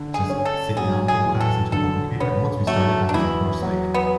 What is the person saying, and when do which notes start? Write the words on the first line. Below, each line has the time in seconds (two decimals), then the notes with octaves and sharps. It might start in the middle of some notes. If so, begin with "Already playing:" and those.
just sit down for the class and turn on the computer, and once we started, I was, of course, like,
Already playing: D3
0.14 G#4
0.30 C#4
0.45 A4
0.77 F#3 G#4
1.08 G#4
1.25 E2
1.41 A4
1.72 D3 A4
2.20 B3 C#4
2.67 F#3 A3
3.09 D4
3.14 E2 E4
3.62 F#3
3.94 B3